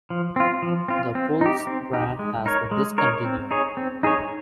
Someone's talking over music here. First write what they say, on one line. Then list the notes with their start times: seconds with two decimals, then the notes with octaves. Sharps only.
The Puls brand has been discontinued.
0.10 F3
0.36 C4 F4
0.62 F3
0.88 C4 F4
1.15 C4
1.41 D#4 G4
1.67 C4
1.93 D#4 G4
2.19 G#3
2.46 D#4 A#4 C#5
2.71 G#3
2.98 D#4 A#4 C#5
3.25 C4
3.51 D#4 G#4 C#5
3.77 C4
4.03 D#4 G#4 C#5